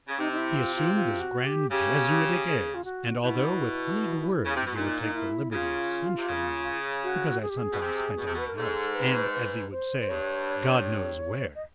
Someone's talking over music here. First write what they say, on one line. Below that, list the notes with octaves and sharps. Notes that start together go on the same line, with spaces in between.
He assumed his grand jesuitic airs, and, although with honeyed word he would take the liberty of censuring me because I sometimes spent a night out, and, as he would say, "God knows where!"
C#3
C3 D#4
D#4
E4
F4
F4
F4
F#4
G4
C#3 G4
G4
G#4
F4
F#4
B2 E4
D#4
E4
C#3
C3
B2
A#2 D#4
D#4
E4
C#3 F4
C3
C#3
F#4
G#4
G4
G#4
B2
C3
B2
C3
B2 B4
A#4
G#2 A4
B4
B4
C5
C5
G2 C#5
D#5